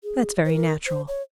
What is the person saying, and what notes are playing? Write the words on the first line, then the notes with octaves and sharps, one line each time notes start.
That's very natural.
G#4
C5
A#4
C5
C#5